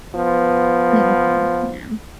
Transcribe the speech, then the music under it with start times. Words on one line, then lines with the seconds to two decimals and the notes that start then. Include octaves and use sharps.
Mhm, yeah.
0.15 F3 B3